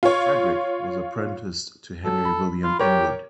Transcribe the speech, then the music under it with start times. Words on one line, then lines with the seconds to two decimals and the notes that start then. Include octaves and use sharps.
Fredrick was apprenticed to Henry William Inwood.
0.03 F4 C#5
2.05 F#3 A4
2.25 B5
2.63 F4
2.79 G4 A#4 C#5